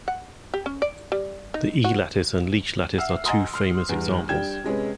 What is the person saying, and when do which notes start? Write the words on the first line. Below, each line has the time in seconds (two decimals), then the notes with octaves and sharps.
The "E" lattice and the Leech lattice are two famous examples.
0.08 F#5
0.54 G4
0.66 C#4
0.82 D5
1.12 G3
1.54 D#4
1.84 F#4
2.98 E5 F#5 E6 F6 C7
3.25 D#5 F#5 G#5 A#5 C6 D#6
3.54 C6 F6 C7
3.89 E2 G2
4.29 G3 D4 G5 G#6 E7
4.64 C3 G#3 C#4 B4